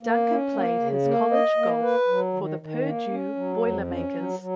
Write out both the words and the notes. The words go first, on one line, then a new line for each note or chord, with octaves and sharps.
Duncan played his college golf for the Purdue Boilermakers.
A#3
C#4
A#3
C#3
A#3
D#5
A#3
B4
F#3
D#3
D#3
A#3
C#4
F#3
F2
C#4
F#3
F#3